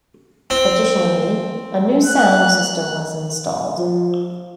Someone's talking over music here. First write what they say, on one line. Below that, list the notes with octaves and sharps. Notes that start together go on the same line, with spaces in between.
Additionally, a new sound system was installed.
C4
F#6
F3